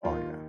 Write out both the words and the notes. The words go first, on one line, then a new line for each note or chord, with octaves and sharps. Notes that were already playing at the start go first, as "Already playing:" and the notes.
Oh, yeah.
D#2 D#3 F4